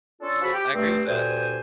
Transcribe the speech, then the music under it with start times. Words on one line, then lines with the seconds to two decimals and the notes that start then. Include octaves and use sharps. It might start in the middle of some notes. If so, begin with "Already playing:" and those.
I agree with that.
0.21 C#4 D4 F4 A4
0.42 C#3 F3 F#4 A4 F#5 B5
0.53 G4
0.74 G2 A3 C4
1.06 D2 G2 A#2 C5 G5 G#5